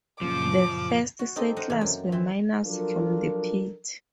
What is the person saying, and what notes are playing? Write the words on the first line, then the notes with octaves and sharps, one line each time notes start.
The first settlers were miners from the pit.
F#2 A#2 C#3 F3 D6
F#4
C4 D#4 G4 A4 D#5
C5 D#5 F5 F#5
C3 E3 A#3
F#2
E3 C4
F3 F#3 D4 F4 A4 A#4